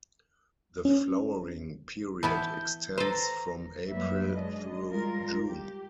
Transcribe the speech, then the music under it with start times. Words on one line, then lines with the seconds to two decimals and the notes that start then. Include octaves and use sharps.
The flowering period extends from April through June.
0.85 C#4
2.23 E3 B3 E4 A5 G6
2.98 A4 B4 C5 A#5
3.87 F#2 F#3 G3 A#3 B4 E5
4.34 F#3 G#3 D4 D#5
4.88 G3 G#3 F4 A#4
5.46 G4